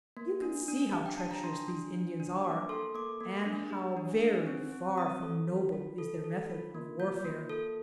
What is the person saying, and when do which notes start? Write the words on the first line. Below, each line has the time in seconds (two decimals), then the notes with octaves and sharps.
You can see how treacherous these Indians are, and how very far from noble is their method of warfare!
0.17 A#3
0.42 D4
0.68 D4
0.92 G4 F5
1.06 G5
1.18 D4 A5
1.31 A#5
1.43 D4 C6
1.68 D4
1.94 D4
2.20 D4
2.44 A#3 D6
2.69 A4 C6
2.95 A#3 D6
3.20 A#3
3.46 D4
3.71 G4
3.97 D4
4.21 D4
4.46 C4
4.72 C4
4.97 C4 D#6
5.22 A4
5.47 F4
5.73 F4
5.98 A4
6.24 A4
6.50 F4
6.75 A#3
7.00 F4 G6
7.24 A#3
7.49 A4